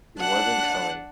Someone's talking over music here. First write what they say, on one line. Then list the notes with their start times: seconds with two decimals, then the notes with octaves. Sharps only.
He wasn’t coming.
0.19 D4 F#5 A5 F#6